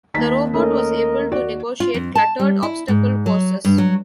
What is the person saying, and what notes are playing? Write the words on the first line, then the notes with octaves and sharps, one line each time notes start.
The robot was able to negotiate cluttered obstacle courses.
D#2 D#3 A5 A#5 B6
A3 C#4 A#4 D#5
F#4 D5
F4
F2
A5
G3
E4
G#2
F#3
G2
F#3